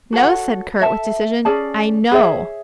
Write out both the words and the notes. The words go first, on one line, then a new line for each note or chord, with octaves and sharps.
"No," said Kurt with decision, "I KNOW."
F#4 A4 C#5 F#5
A4 E5 A5
C#4 G#4 D5 A5
G#4 C#5 E5